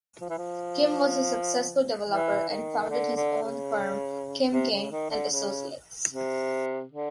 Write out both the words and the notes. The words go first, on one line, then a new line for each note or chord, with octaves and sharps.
Kim was a successful developer and founded his own firm, Kim King and Associates.
F3
E3
F3
E3
D#3
D3
D3
C#3
C3
C#3
D#3
D3
C#3
C3
D3